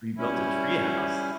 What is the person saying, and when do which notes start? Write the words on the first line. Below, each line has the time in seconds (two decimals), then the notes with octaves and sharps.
We built a tree house.
0.17 G3 C#4 E4